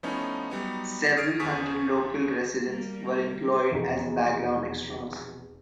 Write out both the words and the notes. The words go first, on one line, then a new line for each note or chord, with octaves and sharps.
Several hundred local residents were employed as background extras.
F3 A3 B3 C#4 D#4 E4
F#3 G3 B3 D#4
D#6 F6 G#6 A6 C7 D7
E2 F3 G#4 C#6 D#6 B6
G3 A#3
F1 E2 B2 D#4 G#4 A#5